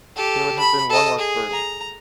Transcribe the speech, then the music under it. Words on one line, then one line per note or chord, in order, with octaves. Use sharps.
There would have been one less burden.
G4 A4
B5
A4 D#5
G#4
A#5